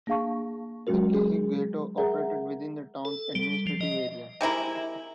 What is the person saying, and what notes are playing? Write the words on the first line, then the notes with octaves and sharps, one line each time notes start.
The Cehei ghetto operated within the town's administrative area.
A#3 D4 G#4 F5 A5 C#6
F#3 G#3 C#4 F#4 A#4
G#4
G#4 A#4 E5 F#5 A#5
A4
G3
F3
D#5
C3 G#3 E4 A#4